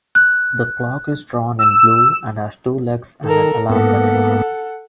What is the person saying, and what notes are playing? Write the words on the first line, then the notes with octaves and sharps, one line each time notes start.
The clock is drawn in blue and has two legs and an alarm button.
F#6
E6
D#3 A4 A#4
G#2 A#3 B3 A4 F#5